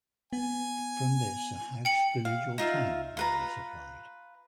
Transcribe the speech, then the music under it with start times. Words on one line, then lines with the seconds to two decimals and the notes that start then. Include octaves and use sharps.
From this a house, village or town may be supplied.
0.33 B3 G#5
1.85 G5 C#7 F#7
2.25 F5
2.58 D#4 F4 E5 F5
3.17 F4 B4 A#5